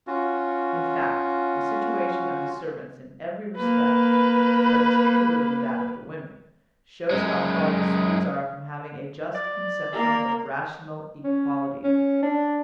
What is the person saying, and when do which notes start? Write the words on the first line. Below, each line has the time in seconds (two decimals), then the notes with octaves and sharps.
In fact, the situation of the servants in every respect, particularly that of the women, shows how far the Swedes are from having a just conception of rational equality.
0.07 C#4 F4 F#4
3.56 A#3 B4
7.11 F#2 G#3
9.35 D5
9.92 A#3 A#4
11.24 C#4
11.84 C#4
12.22 D4